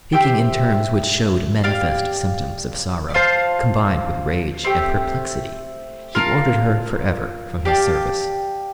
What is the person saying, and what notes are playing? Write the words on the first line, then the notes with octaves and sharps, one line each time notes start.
Speaking in terms which shewed manifest symptoms of sorrow, combined with rage and perplexity, he ordered her for ever from his service.
G4 C5 E5 G5
G4 D5 F5
F4 C5 F5 A5
A3 C4 G4
F4 A#4 F5 A5
G4 D5 F5 A5